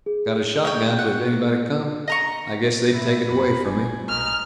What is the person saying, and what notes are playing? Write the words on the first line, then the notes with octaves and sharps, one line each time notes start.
Got a shotgun, but if anybody come, I guess they'd take it away from me.
G#4
C#5 G5
F#5
D#5 A#5 C#6
A2 E4
F#2 B5
F1 G#5
B1 D#4 F6